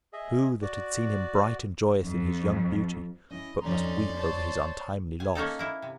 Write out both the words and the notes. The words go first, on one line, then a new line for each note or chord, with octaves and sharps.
Who that had seen him bright and joyous in his young beauty, but must weep over his untimely loss!
G#4 D#5 E5
F#4 D5
F2
C#4 E4 D#5
F2 A3 C#4 D#4 D5 A#5 C6
C5 C#5 A5
G#5
A#3 C#4 D#4 A4
A#3 E4
C3